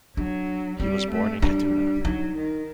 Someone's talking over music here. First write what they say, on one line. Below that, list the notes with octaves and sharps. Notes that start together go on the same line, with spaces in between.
He was born in Kaduna.
F#3 D4
G3 C4
A3
G3 D4
F#3 D#4
D#3